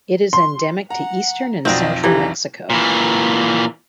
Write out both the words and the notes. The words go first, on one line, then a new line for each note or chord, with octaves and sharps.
It is endemic to eastern and central Mexico.
C6
F#5 A#5
B1 F2 C4 D4 F#4 A#4 D#5 A#6
D3 E3 G3 A#5
A#2 E3